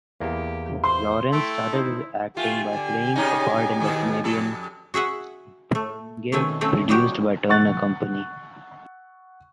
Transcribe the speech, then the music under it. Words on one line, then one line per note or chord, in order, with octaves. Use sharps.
Laurance started his acting by playing a part in the comedian “Birngev” produced by Turner Company.
E2 A#3 G4
C5 C6
A3 E4 G5
D#4 E4 C5
A3 F4 G4 G#5
D3
C3 C#4 D#4
D#2 B2 A4
F2 A4
F#4 G#4 E5 F#5
A3
B2 D#3 A3 C4 C#4 G#5
F#3 A3 C4 C#4
F#3 G3 D#4 F#4 G4
F#5 C#6 F#6 A6